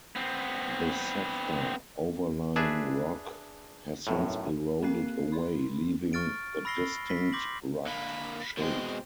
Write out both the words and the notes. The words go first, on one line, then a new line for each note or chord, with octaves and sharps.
The softer overlying rock has since eroded away leaving the distinct rugged shape.
B3 C4
D4 G#4 B4 E5
B1 F#2 A2
A#3 C4 A#4 F5 F#6 C7
B5 C6
C#6 F6 A6 D7
B5 E6 A#6 C7 G7
B6
C6 D6 G6 A#6 B6 F#7
D3 A#3 B5
B2 G#3 C4